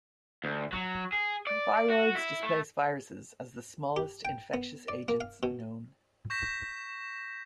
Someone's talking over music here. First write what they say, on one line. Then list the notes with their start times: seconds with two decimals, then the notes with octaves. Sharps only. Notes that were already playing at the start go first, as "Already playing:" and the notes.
Viroids displace viruses as the smallest infectious agents known.
0.44 D2
0.72 F#3
1.12 G#4
1.47 D5
1.89 F#4
2.15 E4
2.43 A3
3.96 G4
4.25 G5
4.54 B3
4.88 D5
5.08 A#3
5.21 F5
5.43 B2
6.30 C#6 G6 A#6 B6 E7